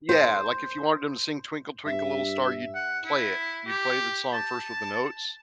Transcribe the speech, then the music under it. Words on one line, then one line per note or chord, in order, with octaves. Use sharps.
Yeah, like if you wanted him to sing Twinkle Twinkle Little Star, you'd play it. You'd play the song first with the notes
C5
G2 E5
F#5
E4
G4
A5